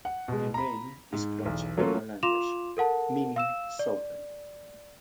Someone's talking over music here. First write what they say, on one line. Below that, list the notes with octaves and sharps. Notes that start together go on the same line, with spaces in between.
The name is from the Chippewa language, meaning "southern".
F#5
B2 G#3
A#5 B5
G#2
B1 E2
F#3 A3 A#3 C#4 F4
F4 F5 C6 D6 E7 F7
A4 A#4 F#5 A5
F5 E6 E7
D5